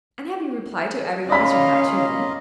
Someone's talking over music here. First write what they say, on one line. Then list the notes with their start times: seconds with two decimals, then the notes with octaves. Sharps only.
"And have you replied to every one as you have to me?"
1.29 A#3 C#4 F4 D5 D#5 F5 B5